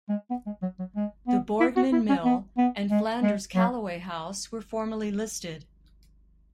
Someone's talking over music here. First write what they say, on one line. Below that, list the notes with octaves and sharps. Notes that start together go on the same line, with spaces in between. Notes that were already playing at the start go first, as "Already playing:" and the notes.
The Borgmann Mill and Flanders Callaway House were formerly listed.
G#3
B3
G#3
F#3
F#3
G#3
B3
E4
F#4
E4
C#4
B3
B3
G#3
G#3
F#3